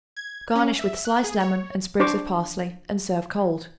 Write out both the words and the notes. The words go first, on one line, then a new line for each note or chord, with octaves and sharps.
Garnish with sliced lemon and sprigs of parsley and serve cold.
G#6
C#4
E5
F#6
G#4
C#5
D4 C5 C#6 D6